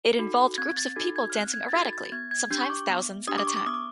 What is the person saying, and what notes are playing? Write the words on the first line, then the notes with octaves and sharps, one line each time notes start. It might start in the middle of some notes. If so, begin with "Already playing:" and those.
It involved groups of people dancing erratically, sometimes thousands at a time.
D#4 F#4 A4
C4 G#6
A6
D#4 F#4 A4 G#6
G#6
F6
C4 F#6
G#6
A6
D#4 F#4 A4 G#6
A6
B3 G#6
G#6
D4 G4 G6
C#6
D6
B3
D4 G4 D#6
D6
C#6
D6
B3 D#6
D6